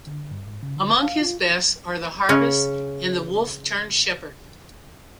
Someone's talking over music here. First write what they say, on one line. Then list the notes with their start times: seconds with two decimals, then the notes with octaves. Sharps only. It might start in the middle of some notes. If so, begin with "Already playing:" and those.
Among his best are "The Harvest" and "The Wolf turned Shepherd".
0.07 D3
0.31 G2
0.47 G#2
0.63 C#3
0.77 D3
0.90 D6
1.02 F5
1.21 F4
2.29 C#3 C#4